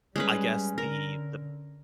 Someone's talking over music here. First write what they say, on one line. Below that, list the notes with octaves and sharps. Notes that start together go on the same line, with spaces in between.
I guess, the the
G3 G#3 C#4 B4
D3 A#4